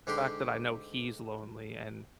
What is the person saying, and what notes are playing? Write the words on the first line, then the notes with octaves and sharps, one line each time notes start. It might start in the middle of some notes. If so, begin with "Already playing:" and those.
the fact that I know he's lonely and
G#2 D3 D4 G4 C6